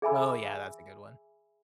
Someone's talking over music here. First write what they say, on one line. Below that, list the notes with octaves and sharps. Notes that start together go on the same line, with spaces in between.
Oh, yeah, that's a good one.
G#4 E5 G#5 B5 E6